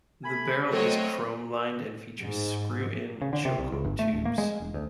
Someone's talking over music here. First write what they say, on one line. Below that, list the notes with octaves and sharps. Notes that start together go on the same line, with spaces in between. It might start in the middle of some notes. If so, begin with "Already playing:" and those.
The barrel is chrome lined and features screw-in choke tubes.
A3 G#5 B5
F#3 A3 C4 C#5 D#5
G#2
C#3
D3
C3
C2
C#2
G1
A3
D1
A#3
G#3
E1
D2